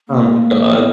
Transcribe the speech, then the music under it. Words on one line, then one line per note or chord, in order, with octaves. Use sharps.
Oh, my god.
A#3
B3